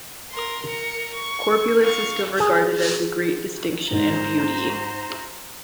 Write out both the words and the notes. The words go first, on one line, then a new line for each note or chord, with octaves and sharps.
Corpulence is still regarded as a great distinction and beauty.
A#4 C6
A#4 C#7
C#6
F5 C#6
G#4
G#2 C5 A#5